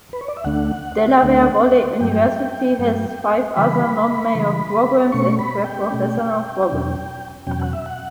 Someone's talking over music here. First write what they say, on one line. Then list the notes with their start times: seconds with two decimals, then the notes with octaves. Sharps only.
Delaware Valley University has five other non-major programs and pre-professional programs.
0.13 B4
0.21 C#5
0.28 D5
0.37 E5
0.44 D2 D3 A3 D4 F#5
1.23 D2 D3 A3 D4
2.00 G2 F#3 A3 G5
2.79 G2 F#3 A3
3.56 C#3 E3 G3 B5
4.35 C#3 E3 G3
5.12 B2 A3 C#4 C#6
5.39 B5
5.64 G5
5.91 B2 A3 C#4
6.69 E2 B2 F#3 C#4
7.47 E2 B2 F#3 C#4 G5
7.60 F#5
7.73 E5
7.86 F#5